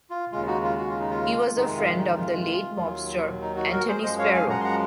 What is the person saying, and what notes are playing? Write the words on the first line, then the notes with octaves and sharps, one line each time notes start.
He was a friend of the late mobster, Anthony Spero.
F4
D#2 C#3 G#3 F4
D#4 F#4
F4
F#4
F4
D#4
F4
F2 C3 D#3 G#3 D#4
F4
D#4
F4
D#2 D#3 F#3
D#4
D#4 F#4
F#4 A#4
G#4 C5
F#2 F3 G#3 C5 D#5
C#5 F5
F5 G#5
F#5 A#5
C6
F#5 A#5